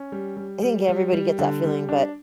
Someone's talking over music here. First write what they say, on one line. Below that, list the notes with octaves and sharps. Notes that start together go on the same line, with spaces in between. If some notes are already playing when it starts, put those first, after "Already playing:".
I think everybody gets that feeling, but
Already playing: C#4
G3
G3
G3
G3
G3
D3
G3
D4